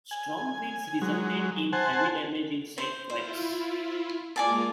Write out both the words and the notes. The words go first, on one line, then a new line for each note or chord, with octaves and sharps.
Strong winds resulted in heavy damage in Saint Croix.
G#5
F#3 G#3
C5 F#5 G#5 A5
C5
E4 F4 C5
G#3 A#3 F4 D5 G#5 A5